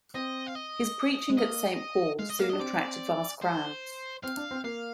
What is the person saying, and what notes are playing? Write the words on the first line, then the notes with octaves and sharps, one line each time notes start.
His preaching at Saint Paul's soon attracted vast crowds.
C4 D#5
F5
D#5
G#3
A#3 D#5
G#3 F5
D#5
A#3 F5
D4 D#5
C4 D5
C5
C4 F5
D4
C4
A#3 F5